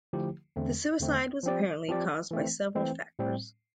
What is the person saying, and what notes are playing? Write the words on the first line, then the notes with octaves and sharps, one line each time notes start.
The suicide was apparently caused by several factors.
D3 F3 A3 E4 G4
E2 D3 A3 C4
E2 D3 A3 C4
F3 C4 G4 D5
F3 C4 G4 D5
E3 A3 C4
E3 A3 C4
A2 G3 C4